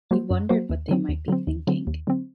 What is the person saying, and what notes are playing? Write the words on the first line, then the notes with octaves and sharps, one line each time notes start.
He wondered what they might be thinking.
F#3 A#3 F#4 C5
F#2
F#3 A#3 F#4 C5
D#2
D3 F#3 C4
D#2
D3 F#3 C4
D#2
D3 F#3 C4
D#2
D3 F#3 C4